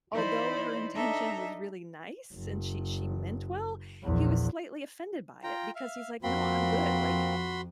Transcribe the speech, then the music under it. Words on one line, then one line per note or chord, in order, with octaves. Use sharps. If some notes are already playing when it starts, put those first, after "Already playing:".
although her intention was really nice and she she meant well, he was slightly offended by it because he's like, "No, I'm good, like,
E3 D#4 E4 C5 D5 B5
D4 D#4 A4 D#5 E5 A#5
F#1
A#1 E2
F4 G5 A#5
E5 F5
F2 A#3 C4 F#4 B5 C6